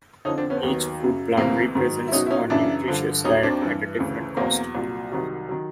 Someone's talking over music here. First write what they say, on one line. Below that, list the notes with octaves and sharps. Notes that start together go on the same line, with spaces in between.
Each food plan represents a nutritious diet at a different cost.
F2 D3 F3 C#4 D#4
C4 D4
B3 C#4
C4
D#2 D#3 F#3 B3
F#2 C#3 F#3
D2 C3 E3 A#3 C4
G#2 D#3 F#3
E4
C#2 B2 F#3 C#4 D#4
E4
C#4 D#4
F#2 C#3 E3 D4 E4
G2 D3 F3
D#2 D#3 F#3 C#4 D#4
C4 D4
G2 E3
D2 C#3 E3
E2 B2 F#3 A#3 C4
C2 A#2 F#3
C2 C3 D#3 F#3
D#3 F#3